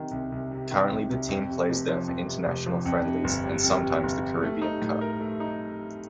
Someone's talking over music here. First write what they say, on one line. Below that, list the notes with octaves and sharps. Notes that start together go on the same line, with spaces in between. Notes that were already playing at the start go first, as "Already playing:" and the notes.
Currently the team plays there for international friendlies and sometimes the Caribbean Cup.
Already playing: C3 D#3
C2
C2
C3
D#3
C2
C2
F2
C3
F1
F3
F2
C3
F1
F3
F2
C3
G1
G3
F2
C3
G1
G3
A3
D#4
A2
A#4
A3
D#4